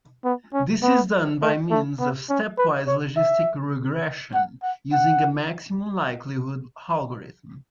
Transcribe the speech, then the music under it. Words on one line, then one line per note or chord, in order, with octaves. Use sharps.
This is done by means of stepwise logistic regression, using a maximum likelihood algorithm.
B3
C#4
B3
A3
A3
B3
C#4
B4
C#5
E5
F#5
F#5
F#5